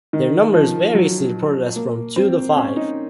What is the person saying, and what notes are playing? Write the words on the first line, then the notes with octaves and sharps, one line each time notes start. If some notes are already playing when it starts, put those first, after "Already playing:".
Their number is variously reported as from two to five.
D#3
F3
F#3
A#3
C4
C#4
D#4